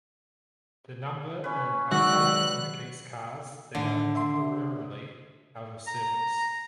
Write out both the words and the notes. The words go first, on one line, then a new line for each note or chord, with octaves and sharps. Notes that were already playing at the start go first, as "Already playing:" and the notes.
The number in "Italics" indicates cars that are temporarily out of service.
C#4 B4
D#3 F#3 G#3 F#4 B4 D5 E6 F#6
A2 D3 D#3 A3
E5 C6
A#5